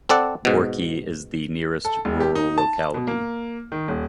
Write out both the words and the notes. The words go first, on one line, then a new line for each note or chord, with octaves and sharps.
Gorki is the nearest rural locality.
C4 A4 D5 F#5
G#2 B2
A4
E1
G4
D#4
A5
B2
A#3
D#3
D#1